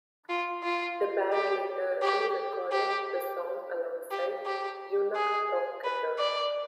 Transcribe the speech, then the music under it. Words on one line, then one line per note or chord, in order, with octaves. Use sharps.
The band later re-recorded the song alongside "Eunuch Provocateur".
F4
F4
G4
G4
G4
G4
G4
G#4
B4
D5